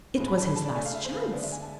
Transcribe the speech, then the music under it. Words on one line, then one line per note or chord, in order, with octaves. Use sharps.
It was his last chance.
A2 F3 G#3 B3
B5
A5
B5
A5
D5
D3 A3 G#5
F5
E5
C5
B4
C5
D3 G#3 B3 D5
E5
G#5
A5